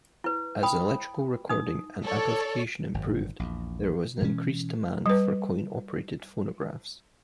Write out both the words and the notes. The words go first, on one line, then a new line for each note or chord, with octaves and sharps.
As electrical recording and amplification improved there was increased demand for coin-operated phonographs.
E4 B4
G5 B5 D#6
D#4 D#6
A4 C#5 D5
G#1 F#2
A#1 E2
B2 E3 G#3 C#4
G3 B4